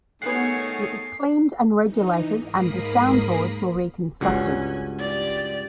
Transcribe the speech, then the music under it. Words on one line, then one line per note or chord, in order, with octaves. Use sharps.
It was cleaned and regulated and the soundboards were reconstructed.
D#3 A3 B3 G#4 C#5 F#5 C7
E3 D#4
G#2 A#3 A#4 B5 D#6 C7
C#2 G2 C#4 F#4
G4 D5